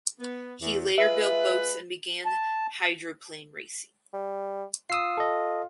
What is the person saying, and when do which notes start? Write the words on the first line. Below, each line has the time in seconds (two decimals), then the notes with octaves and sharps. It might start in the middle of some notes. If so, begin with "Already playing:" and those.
He later built boats and began hydroplane racing.
0.20 B3
0.61 E2
0.98 G#3 F4 B4 E5
2.26 A5
4.13 G3
4.90 F4 D#6 E6 C7
5.18 A4 D#5